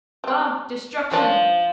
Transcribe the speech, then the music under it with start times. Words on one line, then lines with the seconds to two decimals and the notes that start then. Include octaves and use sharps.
Ah! Destruction!
0.24 G3 C4
1.11 D#3 F3 C#4 D4